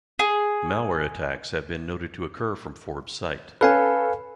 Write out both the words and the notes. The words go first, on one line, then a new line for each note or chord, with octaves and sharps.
Malware attacks have been noted to occur from Forbes site.
G#4
C#4 A4 B4 F5 G#5